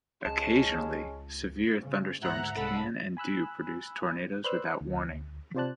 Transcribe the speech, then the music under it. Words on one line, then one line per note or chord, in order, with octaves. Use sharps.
Occasionally, severe thunderstorms can and do produce tornadoes without warning.
C#2 G#3 C#4 A5
C#3
D2 G#2 E5 F#5 A#5 F#6
C2 C#3 G#3 A4 F#5 A5 B5
G#5 B5 E6 F#6
B4 C5 D5 C6 E6 F#6
D2
C3 F4 C5 D5 A5 F#6